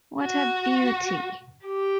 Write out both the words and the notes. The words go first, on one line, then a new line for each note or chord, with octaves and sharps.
What a beauty!
F#4
G4